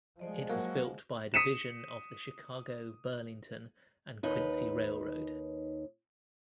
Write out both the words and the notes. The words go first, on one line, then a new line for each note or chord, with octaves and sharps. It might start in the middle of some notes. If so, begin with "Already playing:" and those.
It was built by a division of the Chicago, Burlington and Quincy Railroad.
F3 G#3 C5 D5 D#5
F#3 A#3 F#4 G#4 F#5
D#6 B6 C#7 D#7 E7
D#2 D#4 B4